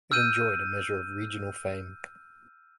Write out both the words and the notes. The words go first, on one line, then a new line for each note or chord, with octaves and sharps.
It enjoyed a measure of regional fame.
E6 F6 G6 D#7